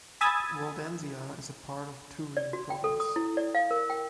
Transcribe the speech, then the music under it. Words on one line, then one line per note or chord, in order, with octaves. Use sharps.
Waldensia is a part of Turin province.
G#5 B5 D#6 E6 G#6 A6
D5
F#4
G5
A4
D#6
E4
D5
F5
A#4
G5